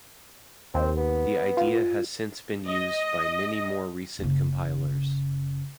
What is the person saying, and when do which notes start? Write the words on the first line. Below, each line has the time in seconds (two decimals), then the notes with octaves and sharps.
The idea has since been used by many more recent compilers.
0.74 D#2 C4
0.97 B3
1.57 F4
2.67 D#5
4.19 F#1 C#3